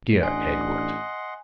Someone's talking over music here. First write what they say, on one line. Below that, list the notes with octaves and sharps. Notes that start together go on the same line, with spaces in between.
"Dear Edward!"
A1 D4 D#5 F#5 G#5 C6